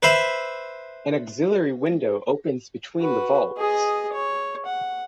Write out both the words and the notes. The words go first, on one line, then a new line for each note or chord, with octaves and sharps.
An auxiliary window opens between the vaults.
B4 C5 E5 B5
F#4 B4
G#4 D#5
C#5
F#5